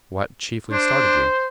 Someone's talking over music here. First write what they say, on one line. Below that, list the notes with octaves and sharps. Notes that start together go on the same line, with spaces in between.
"What chiefly started you?"
D4 C5